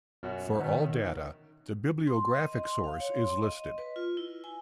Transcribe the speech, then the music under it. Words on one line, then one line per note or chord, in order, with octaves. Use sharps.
For all data the bibliographic source is listed.
F#2 B2 C#4 F#4
B2 D#3 C#4 D#4 E5 F#5
C6
D#5
C6
F5
C#5
C6
D#5
B4
F4
E4
G#5